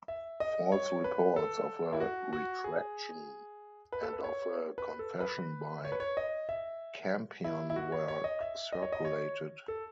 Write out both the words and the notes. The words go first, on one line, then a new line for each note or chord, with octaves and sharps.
False reports of a retraction and of a confession by Campion were circulated.
E5
D#5
C#5
B4
A4
E4
F#4
F#4
G#4
B4
A4
B4
C#5
B4
A4
B4
C#5
B4
C#5
D#5
E5
E4
E4
F#4
C#5
C#5
D#5
E5
D#5
C#5
D#5
C#5
A4